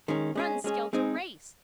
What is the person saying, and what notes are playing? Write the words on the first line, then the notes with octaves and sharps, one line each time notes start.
Run, skelter, race.
D#3 G#3 C#4
G#3 C#4 G#4
G#3 C#4 G#4
G#3 C4 D#4 G#4